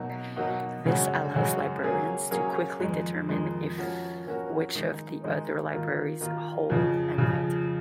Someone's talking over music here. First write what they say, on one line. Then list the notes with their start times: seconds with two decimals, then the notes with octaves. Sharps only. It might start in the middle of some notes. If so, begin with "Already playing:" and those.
This allows librarians to quickly determine which of the other libraries hold an item.
Already playing: B2 F#3 A#3 D#4 F#4
0.36 B2 F#3 A#3 D#4 F#4
0.85 F#2 C#3 G#3 C#4 F#4
1.34 F#2 C#3 G#3 C#4 F#4
1.83 F#3 A#3 C#4 G#4
2.31 F#3 A#3 C#4 G#4
2.80 F2 D#3 G#3
3.29 F2 D#3 G#3
3.78 F3 A#3 C#4 F#4 A#4
4.26 F3 A#3 C#4 F#4 A#4
4.75 D#3 G#3 D#4
5.24 D#3 G#3 D#4
5.73 D#3 A#3 F4
6.21 D#3 A#3 F4
6.70 F2 C#3 F3
7.18 F2 C#3 F3